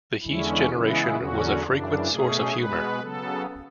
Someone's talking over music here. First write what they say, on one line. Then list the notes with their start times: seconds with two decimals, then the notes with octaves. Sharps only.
The heat generation was a frequent source of humour.
0.23 E2 D3 G#3 C#4 E4
0.69 C#3 E3 G#3 B3 E4
1.15 E2 D3 F#3 C#4 F#4
1.62 F#2 C#3 E3 D4
2.08 B2 A3 C#4 G#4
2.54 B2 G#3 B3 B4
3.00 C#3 F#3 B3 A4